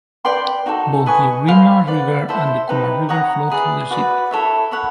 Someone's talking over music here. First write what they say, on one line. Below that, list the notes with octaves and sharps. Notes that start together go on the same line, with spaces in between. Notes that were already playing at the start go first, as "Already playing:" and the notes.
Both the Iruma River and the Koma River flow through the city.
B4 D5 G5 C6
D#4 F#4 A4
B4 D#5 G#5 C#6
C5 F5 G#5 B5
B4 D5 F#5
E4 A4 C5 E5
D#4 G4 B4
C#5 F#5 A#5 D#6
E4 G#4 B4 D5
F#4 B4 D5
E4 A4 C#5 E5
C#5 F#5 B5